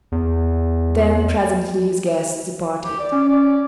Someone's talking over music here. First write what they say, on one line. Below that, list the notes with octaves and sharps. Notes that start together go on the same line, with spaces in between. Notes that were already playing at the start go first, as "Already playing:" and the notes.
Then presently his guests departed.
E2
G4
D5
C#4
D5